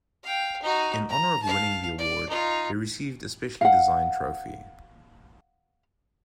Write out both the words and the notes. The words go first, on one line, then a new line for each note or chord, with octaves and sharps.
In honor of winning the award, he received a specially-designed trophy.
F5 G5
D#4 F#4
A#5
F5 A5
D5
D#4 F4
F5 F#5